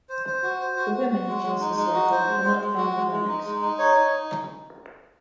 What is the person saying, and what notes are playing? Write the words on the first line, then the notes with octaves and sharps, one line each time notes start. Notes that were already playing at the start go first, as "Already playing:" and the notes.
The women of Johnson's circle were not fond of Lennox.
C5
C5
F#4
C5
F#4
F#4
F#4
G#3
G#3
D#4
D#4
F#4
C5
G#3
G#3
G#3
F#4
G#3
G#3
D#4
G#3
D#4
C#5
D#4